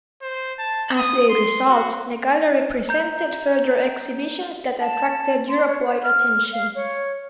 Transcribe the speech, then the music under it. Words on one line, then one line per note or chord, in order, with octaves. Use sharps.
As a result, the gallery presented further exhibitions that attracted Europe-wide attention.
C5
A5
D#6
C6
F#4
A#5 G6
A5
C6
C#5
C5
F6
F5
C#5